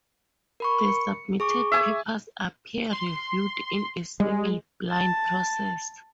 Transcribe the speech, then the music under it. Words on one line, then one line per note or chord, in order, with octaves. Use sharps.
The submitted papers are peer-reviewed in a single-blind process.
A#4 B5 C#6
C#7
G#4 C#6 D6
E5 G#5 D#6
C6
G3 G#3
A5